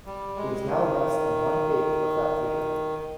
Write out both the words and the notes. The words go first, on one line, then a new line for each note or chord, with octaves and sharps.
It is now less than one eighth of that figure.
G3
G#3
D#3